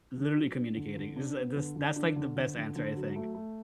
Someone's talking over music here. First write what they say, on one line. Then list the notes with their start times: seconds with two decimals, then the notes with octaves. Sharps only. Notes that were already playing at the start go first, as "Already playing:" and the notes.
Literally communicating, this, uh this that's, like, the best answer, I think.
0.17 D3
0.37 F#3
0.56 D4
0.77 D3
0.97 D3
1.16 D4
1.36 B3
1.56 D3
1.76 D3
1.96 D4
2.16 D3
2.36 D3
2.56 D3
2.76 D3
2.96 F#3
3.16 A3
3.35 A3